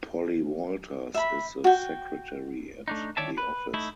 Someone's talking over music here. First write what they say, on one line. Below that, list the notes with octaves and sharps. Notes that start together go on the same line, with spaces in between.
Polly Walters is the secretary at the office.
E5 B5
F#4 G5
A3 D4 D#4
D2 D#3 C#5 D5 E5 A5
B4
A3 D#4 E4